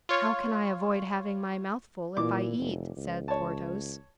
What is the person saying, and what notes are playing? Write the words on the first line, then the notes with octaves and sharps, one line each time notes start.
"How can I avoid having my mouth full if I eat?" said Porthos.
F4 C#5
A#2 E3 D6
F1
C#2
C#5 A5